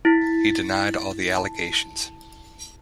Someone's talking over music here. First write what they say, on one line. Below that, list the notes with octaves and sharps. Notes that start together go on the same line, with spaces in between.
He denied all the allegations.
E4 A6 B6
A5